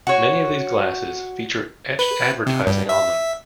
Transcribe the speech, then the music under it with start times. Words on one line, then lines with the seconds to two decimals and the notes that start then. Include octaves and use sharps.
Many of these glasses feature etched advertising on them.
0.07 F#4 C#5
1.99 B4
2.47 C3
2.67 G2
2.89 E5